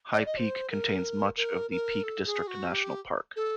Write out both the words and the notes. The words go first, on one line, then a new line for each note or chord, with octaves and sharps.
High Peak contains much of the Peak District National Park.
D#5
D5
D#5
C5
A#4
A#4
A#4
A4
G#4
F#4
G4
A4